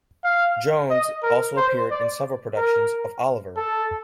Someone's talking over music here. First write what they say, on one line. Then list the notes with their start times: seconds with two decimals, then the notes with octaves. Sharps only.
Jones also appeared in several productions of Oliver!
0.24 F5
0.91 D#5
1.23 A#4
1.57 C5
1.91 D5
2.57 A#4
3.56 A4